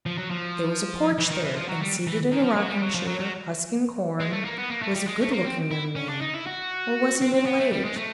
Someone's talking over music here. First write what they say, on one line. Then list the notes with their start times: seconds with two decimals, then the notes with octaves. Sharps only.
There was a porch there, and seated in a rocking-chair, husking corn, was a good-looking young man, or was he middle aged?
0.06 F3
0.18 F#3
0.31 F3
1.18 E3
1.31 D#3
1.44 E3
1.56 F3
1.68 F#3
1.81 G3
2.07 E3
2.32 D#3
2.44 F3
2.56 F#3
2.69 G3
2.82 F#3
2.95 F3
3.07 F#3
3.20 F#3
4.20 G#3
4.32 A3
4.45 A#3
4.58 B3
4.70 A#3
4.82 A3
4.95 G3
5.07 G#3
5.21 A3
5.33 A#3
5.45 C4
5.71 E4
5.95 C#4
6.08 D4
6.21 D#4
6.34 E4
6.47 F#4
7.22 C4
7.34 C4
7.46 B3
7.60 A3
7.72 G3
7.85 G#3
7.97 A3